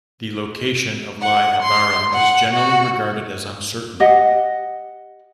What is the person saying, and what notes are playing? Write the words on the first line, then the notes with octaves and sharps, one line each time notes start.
The location of Iye Abarim is generally regarded as uncertain.
F#5
C6
F#5
F#4
G4 D#5 F#5